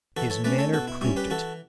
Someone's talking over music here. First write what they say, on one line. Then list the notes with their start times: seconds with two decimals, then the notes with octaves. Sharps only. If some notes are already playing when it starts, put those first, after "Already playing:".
His manner proved it.
0.17 E3 F#4 A4
0.30 A4 C#5
0.44 A3 C#4 B4 D5
0.58 A4 C#5
0.73 B2 F#4 A4
0.88 E4
1.01 G3 C#4 E4
1.16 G4 B4
1.30 E3 F#4 A4